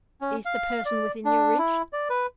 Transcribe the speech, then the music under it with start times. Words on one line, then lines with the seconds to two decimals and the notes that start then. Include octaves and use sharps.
"Is the person within your reach?"
0.21 C#4
0.45 F5
0.85 D5
1.25 D4
1.59 E4
1.93 D5
2.10 B4